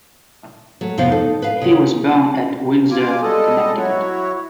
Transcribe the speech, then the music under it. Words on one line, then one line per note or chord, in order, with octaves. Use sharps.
He was born at Windsor, Connecticut.
F#3 A3
F2 C3 F3 B3 C5 F5
D#4 A4
B4 F5
C#3 F#4
F4 G#5 D6
G3 G#3 A4 D#5
F#3 E4 F#4 C#5